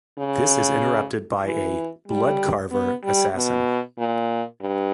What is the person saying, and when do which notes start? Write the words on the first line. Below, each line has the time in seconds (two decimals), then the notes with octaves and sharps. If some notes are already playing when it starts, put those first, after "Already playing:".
This is interrupted by a "Blood Carver" assassin.
0.18 C#3
1.45 E3
2.08 G3
2.71 B3
3.04 G3
3.35 B2
3.98 A#2
4.61 G2